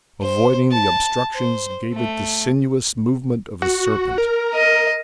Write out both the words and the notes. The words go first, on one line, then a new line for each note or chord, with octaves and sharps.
Avoiding the obstructions gave it the sinuous movement of a serpent.
C5
A5
C5
A3
F#4
A#4
D#5